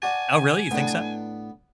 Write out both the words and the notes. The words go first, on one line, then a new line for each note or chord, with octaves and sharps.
Oh, really? You think so?
D4 F#4 G#5 A5
A2 B3 D4 B4